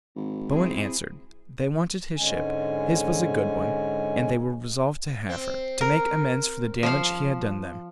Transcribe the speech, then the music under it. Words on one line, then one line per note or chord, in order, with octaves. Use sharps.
Bowen answered, "they wanted his ship, his was a good one, and they were resolved to have her, to make amends for the damage he had done them."
G#1
C4 E4 G#4
G#2 D3 G#3 C#4 G#5
C4
A#4
F3 F5